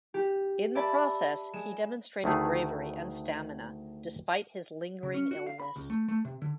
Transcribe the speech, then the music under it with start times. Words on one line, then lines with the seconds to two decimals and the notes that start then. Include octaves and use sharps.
In the process, he demonstrated bravery and stamina, despite his lingering illness.
0.14 G4
0.75 D5 E5 A5 B5
1.53 G#3 E7
2.24 D2 D#3 A3 G#4
5.03 C#3
5.14 C#4
5.31 F#4
5.47 F5
5.60 B5
5.76 C#2
5.90 A3
6.08 A3
6.25 C3
6.42 D3